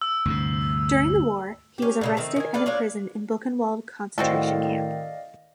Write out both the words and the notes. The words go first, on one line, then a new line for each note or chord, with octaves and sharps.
During the war, he was arrested and imprisoned in Buchenwald concentration camp.
E6
D2 G2 C3
C#4 G4
A#2 C#3 A3
D#3 A3 C4
D#3 G#5
A4 B4 D5 F5
D4 F4 C#5 D5
A2 D#3 C4 F#4 A4 D5 D#5 F5